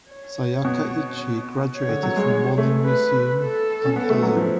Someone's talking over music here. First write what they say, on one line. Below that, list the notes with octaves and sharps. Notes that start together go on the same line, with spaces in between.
Sayaka Ichii graduated from Morning Musume and Hello!
C#5
B2
C#5
D3
F#3
G#3
G#3
A3
B4
A4
C#4
B3
A3
F#3
F3